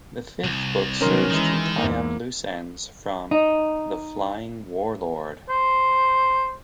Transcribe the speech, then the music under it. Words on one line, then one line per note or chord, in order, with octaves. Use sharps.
The fifth book serves to tie up loose ends from "The Flying Warlord".
C2
D#3 F#3 C#4 A#4 C6
D#3 E3 G#3
E2 G#2 A#3
D#4
C5